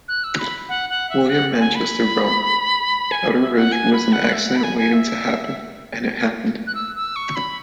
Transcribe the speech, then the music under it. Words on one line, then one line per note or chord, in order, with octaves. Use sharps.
William Manchester wrote: Powder Ridge was an accident waiting to happen, and it happened.
F#6
E6
B5
F#5
F#5
E5
F#5
G#5
B5
G#5
E5
F#5
G#5
B5
F#5
E5
F#5
B5
G#5
G#5
E5
F#6
E6
E6
C#6
B5